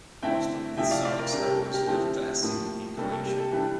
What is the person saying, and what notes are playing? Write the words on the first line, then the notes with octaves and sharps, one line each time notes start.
Most of these songs are considered classic in Croatia.
D3 A3 C4 E4 E5 G5
C3 F3 A3 E4 E5 G5
D5 F5
D5 F5
A#4 D5
C3 G3 D4 A#4 D5
G4 A#4
A4
G4
G4 A#4
D3 F3 A3 C4 E4 G4
A2 F3 A#3
C3 G3 A#3 D4 A4
A4
G4
A4
E3 G3 D4 G4